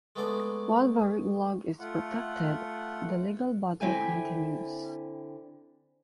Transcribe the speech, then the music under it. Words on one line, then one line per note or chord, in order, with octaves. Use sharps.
While VarigLog is protected, the legal battle continues.
G#3 A3 B3 D4 A4 D5
A3 F4 F#5
D3 C4 E4 E5 G5 G#5